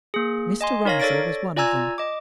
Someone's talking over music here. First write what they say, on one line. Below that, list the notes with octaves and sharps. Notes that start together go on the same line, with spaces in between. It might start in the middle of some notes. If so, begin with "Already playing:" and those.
Mr. Romsey was one of them.
A#3 G#4
D#5 G#5 C6
D#4 A#4 C#5 F5 A#6
A4 C#5 D5 A6 A#6 D7
F4 D5 G#5 A#5 E6 G#6
D#5 D6